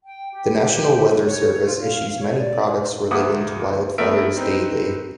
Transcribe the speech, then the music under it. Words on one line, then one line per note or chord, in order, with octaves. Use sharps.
The National Weather Service issues many products relating to wildfires daily.
G5
G4
C#5
F4
F5
C#5
D5
D2 A#3 E5 F#5 D6 D#6
A3 B3 A#4 E5 D7
C4 D#4 B4